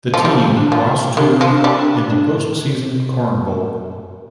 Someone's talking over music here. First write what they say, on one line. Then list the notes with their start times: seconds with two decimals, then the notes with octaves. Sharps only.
The team lost to in the postseason Corn Bowl.
0.14 F3
0.25 G3 D#4
0.57 D4
0.72 F3
0.87 D#3
1.17 D#3 D4
1.41 F3
1.48 D4
1.64 G3
1.79 D4
2.10 D4